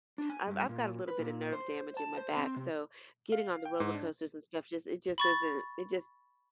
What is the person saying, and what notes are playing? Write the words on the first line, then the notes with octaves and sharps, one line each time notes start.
I've I've got a little bit of nerve damage in my back, so, getting on the roller coasters and stuff just it just isn't it just
D4
G#5
G2
A#2
B4
A#2
C5
A5
C5
C4
C3
F5
G5
G#2
D4
B5 C#6 A6